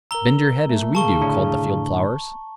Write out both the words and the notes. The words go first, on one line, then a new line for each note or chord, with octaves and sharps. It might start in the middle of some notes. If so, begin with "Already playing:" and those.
"Bend your head, as we do," called the field-flowers.
A#4 A#5 E6 G7
A3
C#3 A5 C#6 G7
A2 D3 D4